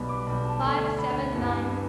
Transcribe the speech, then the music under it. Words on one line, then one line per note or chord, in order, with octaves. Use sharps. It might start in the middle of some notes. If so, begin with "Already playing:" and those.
Five, seven, nine.
Already playing: B1 B2 G3 B3 B5
D6
B1 B2 G3 B3 B5
A5
D2 D3 A3
D2 D3 A3 B5
G2 E3 B3
E3 B3